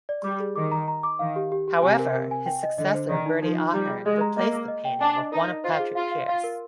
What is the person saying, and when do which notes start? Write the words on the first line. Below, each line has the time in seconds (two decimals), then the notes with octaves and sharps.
However, his successor Bertie Ahern replaced the painting with one of Patrick Pearse.
0.09 D5
0.24 G3 D6
0.40 G#4
0.56 D#3 D6
0.71 A#5
0.88 A#5
1.03 D6
1.19 D#3 F5
1.36 G4
1.52 G4
1.68 G4
1.82 C3 G#5
1.99 A#4
2.14 A#4
2.31 G#5
2.46 G5
2.63 D#5
2.78 D3 D#5
2.94 C5
3.09 D#3 D5
3.26 D#4
3.42 F3 D#4
3.58 D#4
3.73 G3 A#5
3.90 G#4
4.05 G#3 D#5
4.21 A#5
4.36 A#3 D#5
4.52 A#4
4.68 D#5
4.85 G5
5.00 D4 G#5
5.17 D#5
5.32 D#4 A#4
5.48 D#5
5.64 F4 C5
5.79 G#4
5.95 F4 F5
6.11 F5
6.28 F4 F5
6.44 A#4